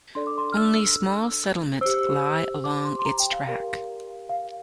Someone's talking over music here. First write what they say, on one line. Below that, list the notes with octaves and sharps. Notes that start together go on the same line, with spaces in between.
Only small settlements lie along its track.
D4 A4 D5 C6
D6
C6
F6
E6
G4 C5 E6
D6
C6
C6
A#5
G5
F5
G4 A#4 D5 F5
F5